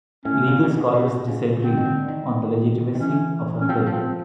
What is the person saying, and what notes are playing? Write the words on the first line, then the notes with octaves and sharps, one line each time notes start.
Legal scholars disagree on the legitimacy of her claim.
A2 C#4
A#2
A#2
B2
B2
C#3
D3 C4
D#3
D3
D#3
D#3
E3 C#4
C#4
F3 C4
F#3
F3
C4